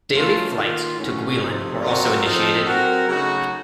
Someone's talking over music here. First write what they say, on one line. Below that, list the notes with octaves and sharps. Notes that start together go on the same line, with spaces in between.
Daily flights to Guilin were also initiated.
A3 C#4 F4
D#3 A#3 F4
A2 F#3 A3 C#4
C3 F3 A3 C4 D#4
F#3 C4 F4 A#4
F3 C4 D#4 A4
F#3 C4 F#4 A#4
C#3 F#3 A3 D#4 F#4